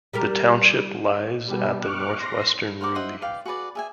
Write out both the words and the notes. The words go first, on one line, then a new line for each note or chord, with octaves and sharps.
The township lies at the northwestern Ruili.
G3 G4 A#4
B2 G3
C#6 D6 F6 F#6
C6 A#6
A#4 C5 F#5 D6
C5 D#5 E5 F#5
B4 D5 F5 G5
F#4 G#4 B4 D5
G#4 E5 G#5